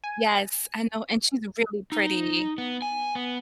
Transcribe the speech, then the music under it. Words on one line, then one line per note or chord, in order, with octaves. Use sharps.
Yes, I know, and she's really pretty.
G#5
D#4
B3
G#5
B3